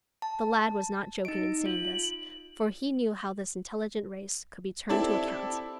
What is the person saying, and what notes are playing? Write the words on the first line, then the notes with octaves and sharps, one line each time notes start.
The lad was not joking in saying this, for he knew how this intelligent race could be turned to account.
A5
D#4 D#5 D7
F4 F#7
C4 E4 G4 A4 D5